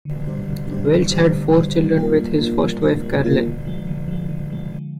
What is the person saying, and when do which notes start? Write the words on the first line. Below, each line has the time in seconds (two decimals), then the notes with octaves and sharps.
Welch had four children with his first wife, Carolyn.
0.05 D3
0.27 G3 D4 G4 C5
0.49 D3
0.69 G3 D4 G4 C5
0.91 D3
1.11 G3 D4 G4 C5
1.32 D3
1.54 G3 D4 G4 C5
1.75 G3
1.97 A#3 F4 A#4
2.18 G3
2.38 A#3 F4 A#4
2.59 G3
2.81 A#3 F4 A#4
3.03 G3
3.23 A#3 F4 A#4
3.45 D3
3.65 F3 G#3
3.87 D3
4.08 F3 G#3
4.29 D3
4.51 F3 G#3
4.72 D3